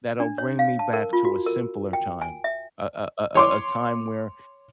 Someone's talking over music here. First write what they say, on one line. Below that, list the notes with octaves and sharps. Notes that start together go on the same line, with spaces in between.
that'll bring me back to a simpler time, a a a a a time where,
D4
C#5
F5
A5
A#4
F4
F#4
A#4
G5
G#5
E5
C#5 C6 D6